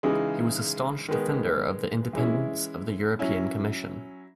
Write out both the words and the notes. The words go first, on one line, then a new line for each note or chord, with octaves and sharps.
He was a staunch defender of the independence of the European Commission.
C#3 E3 G#3 D#4
D#3 G#3 B3
E3 G#3 C#4 E4
F#3 C#4 E4